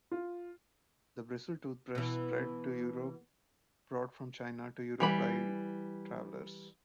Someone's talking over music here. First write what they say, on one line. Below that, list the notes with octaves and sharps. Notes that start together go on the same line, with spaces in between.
The bristle toothbrush spread to Europe, brought from China to Europe by travellers.
F4
B2 E3
E3 G3 B5